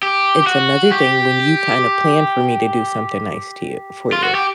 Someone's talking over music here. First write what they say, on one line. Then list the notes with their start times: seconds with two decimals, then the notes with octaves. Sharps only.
it's another thing when you kinda plan for me to do something nice to you for you.
0.03 G4
0.47 F#4
0.91 G4
4.13 F4
4.24 F#4
4.35 G4